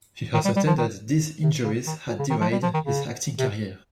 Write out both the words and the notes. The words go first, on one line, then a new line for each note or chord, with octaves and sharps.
He asserted that these injuries had derailed his acting career.
D#3
G3
G3
F3
D#3
C3
C#3
D#3
A#2
C#3
D#3
F3
G3
F3
D#3
C#3
C3